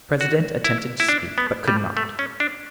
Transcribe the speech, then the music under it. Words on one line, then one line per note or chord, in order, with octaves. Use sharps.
The president attempted to speak, but could not.
F#4
E4
E4
D4
B3
G3
A3
C#4
D4